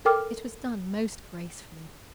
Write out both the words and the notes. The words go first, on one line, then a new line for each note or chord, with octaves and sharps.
It was done most gracefully.
A4 A#4 G5 D6 F6